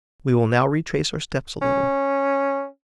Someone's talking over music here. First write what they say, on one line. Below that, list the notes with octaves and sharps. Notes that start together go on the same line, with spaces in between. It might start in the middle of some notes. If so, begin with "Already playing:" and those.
We will now retrace our steps a little.
C#4